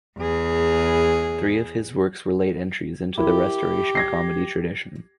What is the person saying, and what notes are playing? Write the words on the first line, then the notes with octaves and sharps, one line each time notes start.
Three of his works were late entries into the Restoration Comedy tradition.
E2 G#4
E4 G4 A#4
G#6 A#6 C7